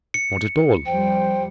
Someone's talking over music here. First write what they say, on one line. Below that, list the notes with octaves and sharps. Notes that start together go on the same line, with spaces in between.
"Not at all."
C#7
F2 G3 C5 G5